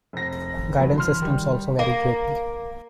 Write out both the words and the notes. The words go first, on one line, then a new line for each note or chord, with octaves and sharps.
Guidance systems also vary greatly.
F1 A#6
G#1
G2 E3 F#3
C6 F6
D#3 G3
A#3